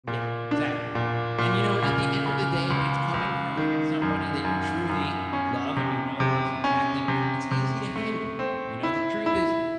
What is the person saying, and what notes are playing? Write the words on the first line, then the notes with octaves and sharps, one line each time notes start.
Yeah, exactly, and, you know, and at the end of the day, if it's coming from somebody that you truly love and you know loves you back, then it's easy to handle. You know, the truth is,
A#2
D4
A#2
A#2
C#3
C#3
C#2
C#2
D#3
F#2
F#2
F#2
C#4
C3
C3
C#4
C3
C3
A3
C4
E4
E4